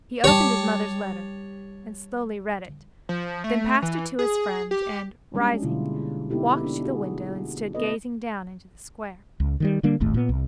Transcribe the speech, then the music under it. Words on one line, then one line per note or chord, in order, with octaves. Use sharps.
He opened his mother's letter and slowly read it, then passed it to his friend and, rising, walked to the window and stood gazing down into the square.
G3 G4 C#5 A5
F3
A3
E3
G#4
G4
G3 G#3 C#4 D4 G4 G#4
B2 D3 A#3 E4 F4
A#3 B3 D#4 E4 G4 A4
D4
F#4 G#4
B3 A4 B4 D#5
C#2
D#3 F#3 G3
D3 G3 A#3 D4
D#1 G#1 D#2 A3
A#2 B3
C2